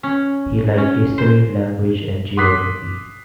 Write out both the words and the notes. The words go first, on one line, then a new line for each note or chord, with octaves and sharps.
He liked history, language and geography.
C#4
C#4
C5
C6 D6 D#6 F#6 B6 C7